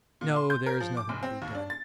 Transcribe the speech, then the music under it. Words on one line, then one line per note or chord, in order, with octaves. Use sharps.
No, there is nothing to be done.
A#2
C6
G6
A#4
F3
D6
F1
C4
D#2
D4
A6